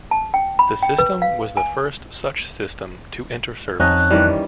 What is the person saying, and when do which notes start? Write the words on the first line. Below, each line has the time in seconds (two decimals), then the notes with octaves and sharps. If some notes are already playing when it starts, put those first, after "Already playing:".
The system was the first such system to enter service.
0.11 A5
0.34 G5
0.59 B5
0.83 G5
0.98 B4
1.22 F5
1.57 G#5
3.80 F2 C#4 D#4 A5 F#6
4.10 D#3 E3 G3